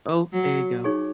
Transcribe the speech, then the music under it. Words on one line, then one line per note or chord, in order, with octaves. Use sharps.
Oh, there you go.
F#3
D#4 G#4 C#5 G#5 C#6